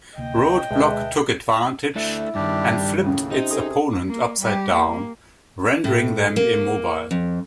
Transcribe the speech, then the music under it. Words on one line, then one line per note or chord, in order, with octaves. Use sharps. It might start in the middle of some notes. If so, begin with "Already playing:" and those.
Roadblock took advantage and flipped its opponent upside-down, rendering them immobile.
D2 C3 A#3 D#5 G5
D2 B2 G#3 B4 E5 A5
A3 D4 E4
G2 D#3 G3 D4 G4
D#2 A2 C#3 C#4 F4
C3 D#4
G#4 A4 E5 D#6
A#3
G3 G4
A#3
A2
A#3
F2